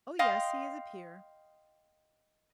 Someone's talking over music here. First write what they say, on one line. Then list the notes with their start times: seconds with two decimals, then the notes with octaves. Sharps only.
"Oh, yes, he is a peer."
0.19 D#5 F5 G5 C6